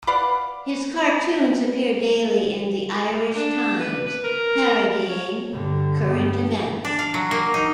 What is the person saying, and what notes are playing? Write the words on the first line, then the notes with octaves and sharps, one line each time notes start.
His cartoons appear daily in "The Irish Times" parodying current events.
B4 D5 F5 F#5
A#3
D4
B4
B4
A#4
C#5
G2 D3
G2 B3
D4
F5
F#3
A#3
D#4